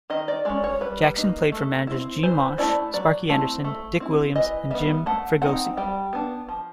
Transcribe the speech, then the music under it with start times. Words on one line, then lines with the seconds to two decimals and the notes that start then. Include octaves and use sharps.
Jackson played for managers Gene Mauch, Sparky Anderson, Dick Williams and Jim Fregosi.
0.10 D#3 D#5
0.28 D5
0.45 G#3 C#4 D5
0.64 C#5
0.81 G3 B4
1.16 A#3 D#4
1.52 A3
1.87 C4 E4
2.23 E3 C5
2.58 A3 C#4 E4 D5
2.94 F#3 D5
3.30 A3 C4 E4
3.64 A3
4.00 C4 E4
4.36 E3 D#5
4.71 G3 B3 E5
5.06 A3 F#5
5.42 C4 D#4 F#5
5.77 G3 G5
6.13 B3 D4
6.49 F3